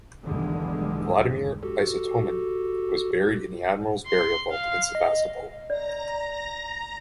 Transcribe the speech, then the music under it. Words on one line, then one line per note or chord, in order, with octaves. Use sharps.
Vladimir Istomin was buried in the Admirals' Burial Vault in Sevastopol.
B1 E2 G2 D3 D#3 G#3
F#4 G4 A4
C6
F5
D#5
D5 A#5 A#6